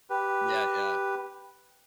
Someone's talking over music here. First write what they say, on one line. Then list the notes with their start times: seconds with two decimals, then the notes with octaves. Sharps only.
Yeah, yeah,
0.10 G4 B4